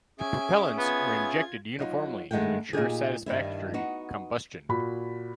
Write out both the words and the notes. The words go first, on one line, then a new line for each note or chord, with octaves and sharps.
The propellants were injected uniformly to ensure satisfactory combustion.
C#4 G#4 E5 G#5 D7
B3 F4 G#6
F#3 D#4 F4
G2 D#3 G#3 A3 F#5 G5
A#2 D#4 G4 G#4
G2 D#3 G3 E4
B3 D#4 F#4
A#2 F#4 B5